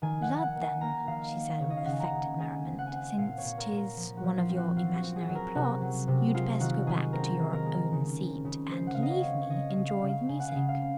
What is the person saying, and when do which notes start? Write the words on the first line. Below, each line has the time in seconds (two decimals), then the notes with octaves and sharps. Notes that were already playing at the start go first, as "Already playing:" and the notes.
"Lud, then," she said with affected merriment, "since 'tis one of your imaginary plots, you'd best go back to your own seat and leave me enjoy the music."
0.02 D#3 G#5
0.22 F#5
0.29 D#3
0.42 F#5
0.56 A#3
0.62 G#5
0.81 A#3 A#5
1.07 D#3 F5
1.34 A#3
1.60 C#3 C#5
1.70 D#5
1.77 F5
1.85 C#3 F#5
1.92 G#5
2.00 A#5
2.13 C#3
2.39 G#3 G#5
2.66 C4
2.79 F#5
2.87 G#5
2.92 C4 F#5
3.18 A#2 F5
3.38 C#5
3.45 A#2
3.58 A#4
3.71 A#2
3.77 A#4
3.97 F3
4.17 F#4
4.23 F3
4.37 F4
4.49 C4
4.56 F#4
4.76 F#3 F4
4.96 F#4
5.02 C4
5.16 G#4
5.29 F#3
5.35 A#4
5.55 C3 F#4
5.81 F#3
6.07 C3
6.34 G#3 F4
6.60 D#3 F#4
6.87 D#3 G#4
7.13 C4 A#4
7.39 D#3
7.53 A#4
7.66 G#3
7.92 C#3
8.19 C4
8.45 C#3
8.71 G#3 C5
8.87 F#5
8.95 C#3 F5
9.02 D#5
9.11 C#5
9.24 C4
9.42 C#5
9.50 C#3 D#5
9.70 F5
9.76 C#3
9.89 F5
10.03 C#3
10.09 F5
10.29 C#3 G#5
10.40 F#5
10.48 F5
10.55 C#3
10.69 F5
10.81 C4